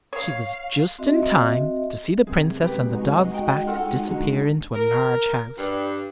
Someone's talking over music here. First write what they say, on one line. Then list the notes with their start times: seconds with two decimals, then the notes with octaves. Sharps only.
She was just in time to see the Princess on the dog's back disappear into a large house.
0.13 C#5 F5
0.99 C4 F#4 D#5 E5
2.27 F#2 C3 G#4
2.63 G#3 D#4 F#4 G4 B4
3.35 G5
3.67 F4 A4 F#5
4.09 D3
4.74 A#4
5.57 G2